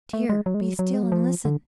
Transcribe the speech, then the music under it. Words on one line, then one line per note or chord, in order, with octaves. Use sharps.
"Dear, be still, and listen!"
A3
G#3
F#3
G#3
F#3
F#3
G#3
F#3
F3
D3